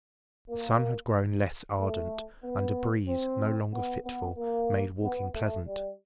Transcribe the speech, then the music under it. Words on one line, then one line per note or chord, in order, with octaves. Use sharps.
The sun had grown less ardent, and a breeze, no longer fitful, made walking pleasant.
A#3
A3
B3
C4
B3
B3
A#3
B3
A3
G3